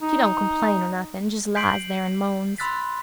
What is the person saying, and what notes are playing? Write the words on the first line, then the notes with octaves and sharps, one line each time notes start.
She don't complain or nothing--just lies there and moans.
D#4
G6 B6 C7 D7 F#7
B5 C6 E6 F#6 A6 B6